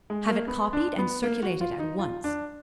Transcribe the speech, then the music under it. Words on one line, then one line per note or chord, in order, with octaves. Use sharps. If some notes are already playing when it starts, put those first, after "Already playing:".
Have it copied and circulate it at once.
G#3
A#3
B3
D4
B3
A#3
F#4
F4
D#4
F4
D4